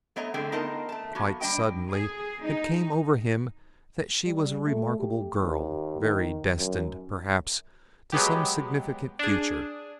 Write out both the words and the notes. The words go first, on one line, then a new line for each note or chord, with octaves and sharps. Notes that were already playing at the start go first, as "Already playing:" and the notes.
Quite suddenly it came over him that she was a remarkable girl--very--destined, perhaps, to some significant future.
A3 B3 C#5 D#5 A#5
F#2 D3 A3 C4 G#4 G5
B3 D#4 F4 A#4 D#5 A5
A3 A5
A#3 B3 F#4
G3 D4 D#5 G5
G#4
D#4
G3
A3
G4
D#2
D#3
F#2
F#3 G#3 B3 G4
D4 G#4